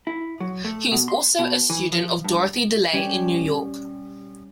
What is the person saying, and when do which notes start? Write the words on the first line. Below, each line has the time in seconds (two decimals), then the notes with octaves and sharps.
He was also a student of Dorothy DeLay in New York.
0.07 E4
0.40 F#3
0.64 A3
0.92 B2
1.08 C6
1.39 B2
1.70 E3
1.92 F3
2.24 G2
2.93 G3 C#4